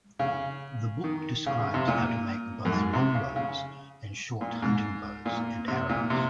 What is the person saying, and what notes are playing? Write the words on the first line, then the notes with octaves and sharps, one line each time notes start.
The book describes how to make both longbows and short hunting bows and arrows.
C#3
D#3
C#3
C#3
C3
A#2
F#2
G#2
C3
C#3
C#3
A#2
G#2
A#2
C3
A#2
C3